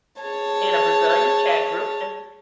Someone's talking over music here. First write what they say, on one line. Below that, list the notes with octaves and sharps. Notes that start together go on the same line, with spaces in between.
in a Brazilian chat group, and
G#4 C#5 A5